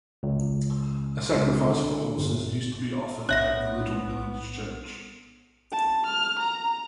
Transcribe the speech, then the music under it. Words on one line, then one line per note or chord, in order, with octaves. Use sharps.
A sacrifice for horses used to be offered at the little village church.
C#2
C#2
D3
G1
B1 A2 B3 D4 C#5 E5 F#6 A#6
A5
F6
A#5